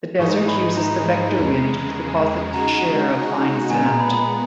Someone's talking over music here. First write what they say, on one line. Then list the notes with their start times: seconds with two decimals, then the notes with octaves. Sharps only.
The desert uses the vector wind to deposit its share of fine sand.
0.19 G#2 E3 G#3 D#4 C#6
0.48 B5
0.77 A#5
1.36 E2 C#3 G#3
2.54 C#3 G#3 D#4 F#4 A#5
3.70 A#2 G#3 B3 G#5
3.85 A#5
4.00 B5
4.14 B5